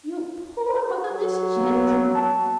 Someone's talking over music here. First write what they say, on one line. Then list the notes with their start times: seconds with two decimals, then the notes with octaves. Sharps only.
'You poor motherless children!
1.12 F#3
1.57 A#3 B3
2.15 A5